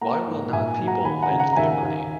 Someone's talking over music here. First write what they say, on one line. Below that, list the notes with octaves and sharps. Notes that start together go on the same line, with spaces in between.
Why will not people lend their money?
A#3 F#5 A#5
G#2
A#2 E5 G#5
F#3
F#5 A#5
D#2 G#5 B5
F#5 A#5
C#3
F#5 A#5
A#5
D#2 E5 G#5
D#2